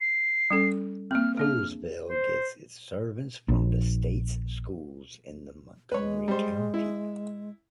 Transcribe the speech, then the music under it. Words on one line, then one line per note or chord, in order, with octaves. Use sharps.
Poolesville gets its servants from the States Schools in the Montgomery County.
C7
G3 C#4 A4
A#3 C4 F6
A#3 D4 G#4 F6
C5
A#1
G#3 B4 C#5
G3 C5
E4